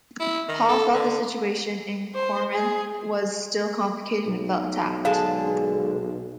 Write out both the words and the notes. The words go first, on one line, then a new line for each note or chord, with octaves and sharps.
Paul felt the situation in Corinth was still complicated and felt attacked.
E4
D#3
A4
D3
C5
G#4
B1 F#3
D3 G#3 F5 A5